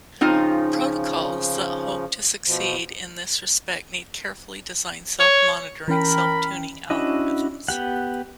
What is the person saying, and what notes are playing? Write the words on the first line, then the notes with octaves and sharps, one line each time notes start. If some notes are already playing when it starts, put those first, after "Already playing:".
Protocols that hope to succeed in this respect need carefully designed self-monitoring, self-tuning algorithms.
C#3 F3 C4 D#4 F4
B2 F3
C#5
E3 C#4 A#4 G5 B5
C#4 D4 E4 F#4 D#5
B3 G4 F#5